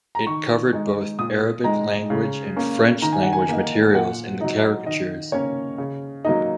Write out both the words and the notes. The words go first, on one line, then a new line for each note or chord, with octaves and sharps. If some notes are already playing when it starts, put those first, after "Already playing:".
It covered both Arabic language and French language materials in the caricatures.
A#5
D#3 C#6
G#3 D#4
A#2 D#6
G#3 D#4 A#5
C#3
A#3 C#4
D#3 A#5
G#5
F#5
G#5
A#3 D#4
A#2 F#5
F#3 D#4
D#3 D#5
A#3 C#4 C#5
C#3
F#3 A#3 D#4 D#5